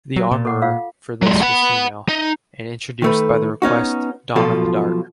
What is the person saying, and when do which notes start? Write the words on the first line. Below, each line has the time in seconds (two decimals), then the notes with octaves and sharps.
The armourer for this was female, and introduced by the request, "Donna, the dart".
0.16 F#3
0.31 A#2
0.45 A4 F#5 D6
0.62 F4 F5 F#5
1.23 F#3 G#3
1.42 F#5 B5
2.08 D#4
3.02 D#3 A3 B4
3.62 B3 C#4 D#4 F#4
4.36 B1 B2 F3 F4 A4